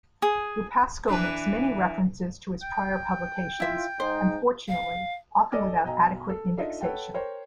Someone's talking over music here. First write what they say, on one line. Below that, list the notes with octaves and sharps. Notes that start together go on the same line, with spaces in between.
Lupasco makes many references to his prior publications, unfortunately, often without adequate indexation.
G#4
E3 D4 B4
G5
E4 F4 E5
G#2 D#4 C5
F5
A4 D5 D#5 G#5 D6 F6
B1 D#5 G5 G#5 A#5
A4
D4 D#4 F4 A4 D#5 E5
A4 B4 C#5 F#5 G5 A5
A#4 C5 C#5 G5